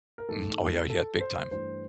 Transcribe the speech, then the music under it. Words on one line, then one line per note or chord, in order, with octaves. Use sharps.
Mh oh, yeah yeah, big time.
A#4
G#2 E3 A3 A4
A4
C5
G2 E3 A3 C5